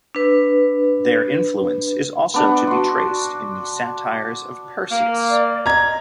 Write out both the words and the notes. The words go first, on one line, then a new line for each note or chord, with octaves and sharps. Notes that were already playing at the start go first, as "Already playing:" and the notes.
Their influence is also to be traced in the satires of Persius.
D4 B4
B3 D4 F#5
F#4 C6
A#3
D5
D#5 A#5 G#6